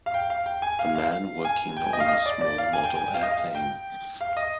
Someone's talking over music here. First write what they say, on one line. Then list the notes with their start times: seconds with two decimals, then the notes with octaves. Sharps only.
A man working on a small model airplane.
0.06 F5
0.14 G5
0.30 F5
0.46 G5
0.62 G#5
0.79 F5
0.96 F5
1.45 G#5
1.77 G5
1.84 G#5
1.93 D#5
2.00 F5
2.08 D#5
2.26 D5
2.41 D5
2.58 F5
2.73 G#5
2.84 G5
2.96 G#5
3.06 G5
3.14 F5
3.23 D#5
3.31 F5
3.55 G5
4.21 F5
4.37 D#5